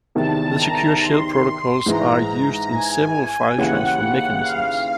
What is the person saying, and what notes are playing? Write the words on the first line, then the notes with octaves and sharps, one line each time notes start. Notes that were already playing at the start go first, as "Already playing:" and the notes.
The Secure Shell protocols are used in several file transfer mechanisms.
E2 C3 D#3 A5
A#5
C6
G#2 E3 G#3 A#5
G#5
D#2 C#3 E3 F#5
F5